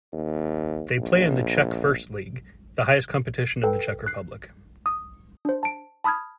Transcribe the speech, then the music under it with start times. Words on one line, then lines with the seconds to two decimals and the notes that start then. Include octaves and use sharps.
They play in the Czech First League, the highest competition in the Czech Republic.
0.12 D#2
0.98 A#1
3.63 A4 B4 G5
4.06 F#6 C7
4.86 D#6
5.45 D4 C5
5.63 A5 D7
6.04 A5 B5 D#6 F6 G#6